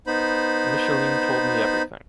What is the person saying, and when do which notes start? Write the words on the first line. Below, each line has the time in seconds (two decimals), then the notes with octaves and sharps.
Micheline told me everything.
0.07 B3 D#4 C5 B5